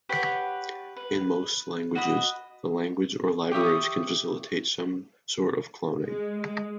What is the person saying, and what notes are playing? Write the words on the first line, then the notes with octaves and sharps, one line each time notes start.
In most languages, the language or libraries can facilitate some sort of cloning.
G4 B4 C#5 F#5
B4
F#4 D#5 B5 D#6
G4 C#5 E5 D#6
G#3
G#3